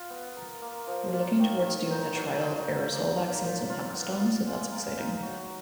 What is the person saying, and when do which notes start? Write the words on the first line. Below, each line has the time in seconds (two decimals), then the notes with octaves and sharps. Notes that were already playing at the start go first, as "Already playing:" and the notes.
We're looking towards doing a trial of aerosol vaccines in Pakistan, so that's exciting.
Already playing: F4
0.10 B3
0.36 A#4
0.62 A#3
0.87 F3
1.13 A#2
1.39 D#3
1.64 D#3
1.90 D#4
2.16 F#3
2.41 D#4
2.67 F#3
2.93 A#3
3.18 A#2
3.44 A#2
3.70 F4
3.95 B3
4.21 F4
4.46 G#3
4.71 A#4
4.97 D#4
5.22 F#3